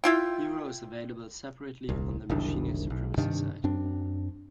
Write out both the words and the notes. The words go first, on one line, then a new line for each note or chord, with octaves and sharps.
Hero is available separately on the Machinae Supremacy site.
E4 F4 G5
D#1 C2
F#1 C2 D#3 D4
B1
G2 C3 D#3 D4
F#2 C4 D4